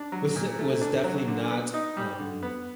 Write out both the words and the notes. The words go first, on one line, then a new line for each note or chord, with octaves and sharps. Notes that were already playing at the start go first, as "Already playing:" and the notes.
was was definitely not, um,
Already playing: D4
F#3
A#2
A3
D4
F#3
D3
B3
D#4
G3
D3
B3